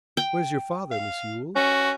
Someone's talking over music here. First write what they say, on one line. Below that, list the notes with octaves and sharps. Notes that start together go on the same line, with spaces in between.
'Where's your father, Miss Yule?'
G5
F5
C#4 F#4